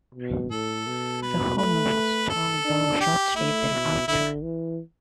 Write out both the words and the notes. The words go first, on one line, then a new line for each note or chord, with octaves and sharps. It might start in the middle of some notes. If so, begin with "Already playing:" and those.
The home was torn down shortly thereafter.
B2
A2 A4
B2
B4
A3 B4
A4
D4
G4
A3 E4
B2
D3 E4
E3